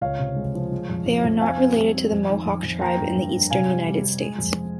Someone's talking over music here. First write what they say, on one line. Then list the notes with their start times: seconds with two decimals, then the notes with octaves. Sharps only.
They are not related to the Mohawk tribe in the eastern United States.
0.01 C#2 C#5 F5
0.19 C3
0.36 G#3
0.55 F3
0.71 G#3
0.89 F2
1.06 F2
1.24 F2
1.41 C4 F5 G#5
1.59 C4
1.76 G3
1.94 C4
2.11 F2
2.29 D#3
2.46 F2
2.63 F2
2.81 A#3 G5 A#5
2.99 G2
3.16 G2
3.34 G2
3.50 C3 F5 G#5
3.69 G3
3.86 G3
4.04 G3
4.20 G#3
4.39 F2